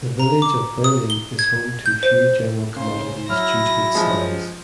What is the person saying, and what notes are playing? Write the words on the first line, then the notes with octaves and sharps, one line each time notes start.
The village of Birling is home to few general commodities due to its size.
A#5
D6
D#6
G7
G#6
G6
C5
C#3 C5 C6
F#3 E4 F6 A#6
F3 G#3